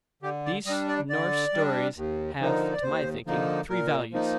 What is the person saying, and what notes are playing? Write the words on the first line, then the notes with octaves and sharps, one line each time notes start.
These Norse stories have, to my thinking, three values.
D3 G4
D5
G3 D4 D#5
D5
D3 D5
G3 D4
D#2
D3 F3 A#3 D#4
D5
D#2 C5
D3 F3 A#3 D#4
A#2 A#4
F3 A#3 D#4